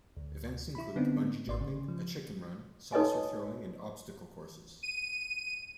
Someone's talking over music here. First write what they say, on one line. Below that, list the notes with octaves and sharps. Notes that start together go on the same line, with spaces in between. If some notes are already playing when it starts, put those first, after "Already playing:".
Events include bungee jumping, a chicken run, saucer throwing, and obstacle courses.
D2
E4 B5
D3 B3 C4 D4 D#4
G#1 D5 C6
C#3
F3
D#4 A4 B4 C#5 D#5 G#5
D#7